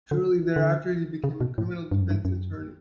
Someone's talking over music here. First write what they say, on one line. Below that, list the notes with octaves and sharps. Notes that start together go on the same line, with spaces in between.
Shortly thereafter he became a criminal defense attorney.
D3
D3
C#3
B2
A2
G2
F#2
G2
F#2